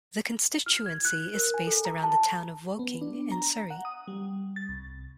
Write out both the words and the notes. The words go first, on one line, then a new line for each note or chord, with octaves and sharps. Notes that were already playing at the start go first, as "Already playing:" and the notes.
The constituency is based around the town of Woking in Surrey.
F6
G#6
F#6
A#4
G#5
A4
A#5
A5
B3
D4
A#5
F#5
D#6
G3
A6
C2